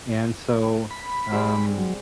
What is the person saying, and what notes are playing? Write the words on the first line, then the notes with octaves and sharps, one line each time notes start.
and so, um
B5
G3 G#3 C4
F#3